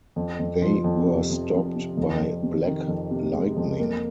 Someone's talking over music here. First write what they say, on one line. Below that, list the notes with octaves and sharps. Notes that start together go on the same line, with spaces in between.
They were stopped by Black Lightning.
F2
F2
F3
F2
C3
F2
F2
C3
F2
F2
C3
D#3
F2
C3
G#3
F2
A#3